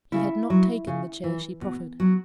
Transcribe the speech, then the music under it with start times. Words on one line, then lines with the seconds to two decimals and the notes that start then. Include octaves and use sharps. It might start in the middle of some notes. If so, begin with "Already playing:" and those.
He had not taken the chair she preferred.
0.12 C#3 E4
0.50 F#3
0.87 C#3
1.24 E3
1.61 B2
2.00 F#3